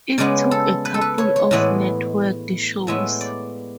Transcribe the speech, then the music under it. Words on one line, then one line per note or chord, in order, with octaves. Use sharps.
It took a couple of Networked shows.
C#3 G#3 B3 D5
A4
B4
A4
B4
C#5
C#5
A2 E3 G#3 B3 D5
A2 G#3 B3 E5
D5